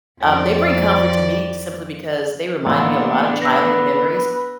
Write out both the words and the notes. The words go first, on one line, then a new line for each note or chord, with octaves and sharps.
um, they bring comfort to me simply because they remind me of a lot of childhood memories,
F2 D5
A1 A#3 B3 D4 C6 E6
B4 E6 A#6